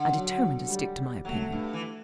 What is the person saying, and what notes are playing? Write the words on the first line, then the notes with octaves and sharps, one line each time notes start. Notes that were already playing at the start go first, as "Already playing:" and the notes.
I determined to stick to my opinion.
Already playing: D3
F#3
G3
F#3 A3
G2
E3